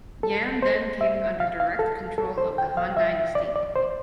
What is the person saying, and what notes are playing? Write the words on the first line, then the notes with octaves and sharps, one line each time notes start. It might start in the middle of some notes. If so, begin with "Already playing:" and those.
Yan then came under direct control of the Han dynasty.
A4
C5
E5
F5
F5
A4
A4
C5
G5
F5
E5
D5
D5
C5